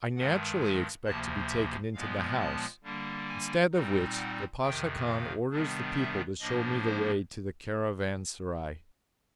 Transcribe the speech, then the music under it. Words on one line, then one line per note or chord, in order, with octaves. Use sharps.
I naturally expect to be taken into the house, instead of which the Pasha Khan orders the people to show me the way to the caravanserai.
G2 D#3 G#3 F#5
G#5
D2 C3 F3 A#3 A5
E5
A#2 F3 G#3 B3 F5
A5
D3 G3 A#3 D4
G#5
A#2 G3 C4 D#4
F#5
F2 C3 D#3 G5
F5
C3 D#3 G3 B3 D4
E5
A2 F3 A#3 D4 D#5
C5